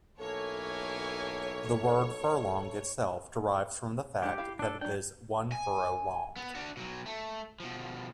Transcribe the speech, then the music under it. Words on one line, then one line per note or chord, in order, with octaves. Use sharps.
The word "furlong" itself derives from the fact that it is "one furrow long".
B1 A#3 E4 A4 C#5 G#5
G#3 D4 G4 F#5
E4 F5
D4 A4
F#3 D4 G5
G#5
B3
D4 F#4
B2 F#3
A3
B2 F3